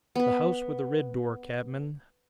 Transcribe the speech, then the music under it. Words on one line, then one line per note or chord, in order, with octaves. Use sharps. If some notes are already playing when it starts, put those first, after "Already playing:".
'The house with the red door, cabmin.
B3 B4